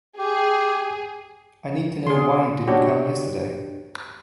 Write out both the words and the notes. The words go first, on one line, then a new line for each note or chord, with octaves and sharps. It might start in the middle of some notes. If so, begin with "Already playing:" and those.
I need to know why you didn’t come yesterday.
G4 G#4
D3 G#4 C6
D4 F#4 G4 C#5